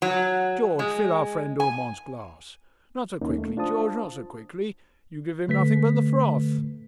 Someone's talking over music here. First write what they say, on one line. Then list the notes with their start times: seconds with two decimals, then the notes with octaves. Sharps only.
George, fill our friend Urmand's glass; not so quickly, George, not so quickly; you give him nothing but the froth.
0.02 F#3
0.79 G#3
1.60 G#5
3.21 D#2 A#3 C#4 D#4
3.38 A3
3.57 D4 F4 C5 A5 D#6
5.48 D3 A3 B4 B6